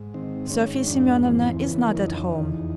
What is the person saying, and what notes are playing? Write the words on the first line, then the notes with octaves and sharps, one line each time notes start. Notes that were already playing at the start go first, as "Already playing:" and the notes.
Sofya Semyonovna is not at home.
Already playing: G#2
D#3 C4
G#2 C#4
C#4
F2 D4
E3 C4
C#3 B3
A#3
F2 D#4
D#4
E2